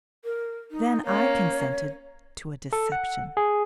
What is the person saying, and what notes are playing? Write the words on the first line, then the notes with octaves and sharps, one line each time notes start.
Then I consented to a deception.
A#4
D#4
A#3 C#4 C#5
A4
F#5
G#4